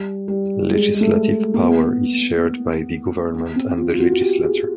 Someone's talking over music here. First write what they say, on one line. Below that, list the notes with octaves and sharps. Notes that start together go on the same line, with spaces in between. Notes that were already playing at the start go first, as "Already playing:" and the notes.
Legislative power is shared by the government and the legislature.
Already playing: G3
G3
G#3
G#3
A3
A#3
B3
B3
C4
F4
F4
F#4
F#4
G4
G#4